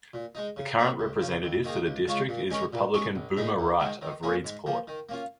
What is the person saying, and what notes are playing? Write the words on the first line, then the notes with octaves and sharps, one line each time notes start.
The current representative for the district is Republican Boomer Wright of Reedsport.
A#2
G#3 D#4
C#3
A#3 D#4 C#5
C#2
C#3 F3
F2
D#3 A#3 D#4 G#4
C#2
C#3 G#3 F4 C#5
A#2
G#3 C#4 A#4 C#5
A#2
G#3 C#4 G#4 C#5
A#1
A#2 G#3 D#4
D#2
D#3 G#3
D#3
A#3 C#4 G#4
G#2
F3 A#3
D#3
A#3 C#4 F4